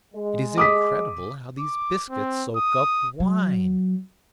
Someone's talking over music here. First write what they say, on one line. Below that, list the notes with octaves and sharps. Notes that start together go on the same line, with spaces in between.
It is incredible how these biscuit soak up wine!
G#3
D6 D#6 B6
D6
C4
D#6
F#3